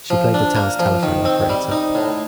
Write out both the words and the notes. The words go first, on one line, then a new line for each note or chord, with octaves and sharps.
She played the town's telephone operator.
F3
D4
A#3
F3
D#3
C4
G3
D#4
A2